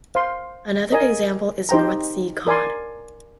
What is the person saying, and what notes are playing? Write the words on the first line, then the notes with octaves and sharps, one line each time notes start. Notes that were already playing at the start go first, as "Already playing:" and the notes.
Another example is North Sea cod.
C5 F5 C6
A#4 D#5 G#5
D#4 G4 C5 G5 A#5
A#4 D5 G#5 C6